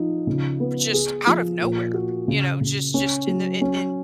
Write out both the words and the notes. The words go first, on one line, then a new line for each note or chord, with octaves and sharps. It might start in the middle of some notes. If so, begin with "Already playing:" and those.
just out of nowhere, you know? Just just in the i in
Already playing: F3 D#4
C#3
B3
G#4
F3
A#2
F#4
C#3
C#3
C#4
F#3
C#4